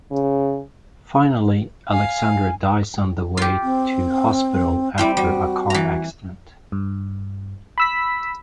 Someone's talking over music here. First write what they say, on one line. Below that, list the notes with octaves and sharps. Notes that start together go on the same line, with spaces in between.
Finally, Alexandre dies on the way to hospital after a car accident.
C#3
F5 G#5
F4 G4
C4
G3 C4 E4 C5
G3 F#4
E3 A#5
G2
B5 E6 B6